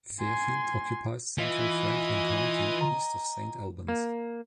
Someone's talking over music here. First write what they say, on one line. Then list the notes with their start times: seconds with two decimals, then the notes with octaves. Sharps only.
Fairfield occupies central Franklin County, east of Saint Albans.
0.21 G#5 C6
1.39 E3 F4 D#5 G#5
2.81 A#5
3.88 A#3